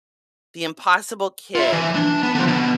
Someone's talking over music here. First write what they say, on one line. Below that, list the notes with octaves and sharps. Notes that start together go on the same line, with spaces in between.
The Impossible Kid.
F4 E5
E3
D4
B3
D3 F3
B2